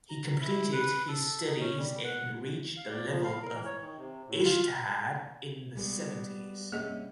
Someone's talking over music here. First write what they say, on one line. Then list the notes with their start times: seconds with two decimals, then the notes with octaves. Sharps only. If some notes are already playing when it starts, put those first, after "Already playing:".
He completed his studies and reached the level of ijtihad in the seventies.
0.09 A#5
0.40 E4
0.72 B4
1.08 A4
1.47 D#4
1.60 C#4
1.79 G3
2.04 F#5
2.77 F5
2.91 D5
3.09 F3
3.24 F5
3.42 A#4
3.54 E3
3.65 C#5
3.82 D#3
3.97 C3
4.28 A2
4.44 F4
5.76 G3 G#3 B3
6.72 G2 C3 A#3 C#4 G#4 D#5